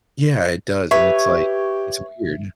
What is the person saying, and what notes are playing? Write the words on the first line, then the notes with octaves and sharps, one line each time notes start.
Yeah. It does. And it's, like, it's weird.
G4 B4 C#5 E5